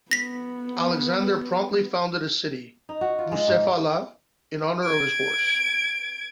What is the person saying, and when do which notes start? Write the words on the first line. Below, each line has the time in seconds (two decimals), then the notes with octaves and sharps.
Alexander promptly founded a city, Bucephala, in honour of his horse.
0.11 B3 A#6 B6
2.89 D#4
3.01 F#4
3.19 F4
3.32 G#3
3.48 G#2
4.83 G#6 D7